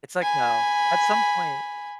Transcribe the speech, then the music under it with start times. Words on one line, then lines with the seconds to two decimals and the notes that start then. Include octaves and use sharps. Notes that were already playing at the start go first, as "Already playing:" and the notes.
It's like, no, at some point
0.22 G#5 B5